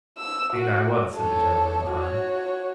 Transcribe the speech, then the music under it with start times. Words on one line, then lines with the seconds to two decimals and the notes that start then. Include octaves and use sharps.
'Ain't I what?' said the gentleman behind.
0.18 E6
0.53 F#4
1.14 A4 C#5
1.91 F#4 C#5